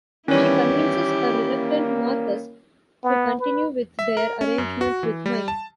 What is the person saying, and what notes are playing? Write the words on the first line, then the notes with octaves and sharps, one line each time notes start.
She convinces a reluctant Marcus to continue with their arrangement with Mike.
D#3 E3 G3 B3 C#4 E4 G4 C#5
A#3
B3
B4
E5
A#4
C#4
F#2
F#4
E3
G3
A5